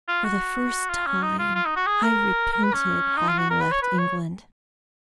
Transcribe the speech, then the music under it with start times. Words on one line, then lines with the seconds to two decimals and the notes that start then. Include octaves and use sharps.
For the first time, I repented having left England.
0.08 F4
0.24 F#4
0.89 F4
1.06 C#4
1.22 D#4
1.39 F4
1.55 F4
1.65 D#4
1.76 F#4
1.87 G#4
2.03 A#4
2.52 A#4
2.63 B4
2.73 C#4
3.17 D#4
3.28 F4
3.38 F#4
3.50 A#4
3.60 B4
3.72 C#5
3.82 B4
3.98 C#5